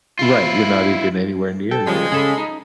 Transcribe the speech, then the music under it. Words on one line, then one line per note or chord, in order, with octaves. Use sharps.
Right. You're not even anywhere near there.
E4 F4
A4 G5
C#3 F3 G3 G#3
C#3 G#4 A4 B5
D#4